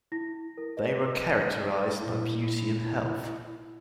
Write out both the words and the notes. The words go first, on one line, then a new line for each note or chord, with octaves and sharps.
They were characterized by beauty and health.
E4 A#6
A#4
B4 D#5
A#2 E4